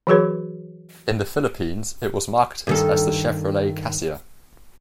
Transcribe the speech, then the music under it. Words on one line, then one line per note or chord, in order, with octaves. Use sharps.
In the Philippines, it was marketed as the Chevrolet Cassia.
E3 F#3 F#4 G#4 B4 C#5
G2 D#3 A4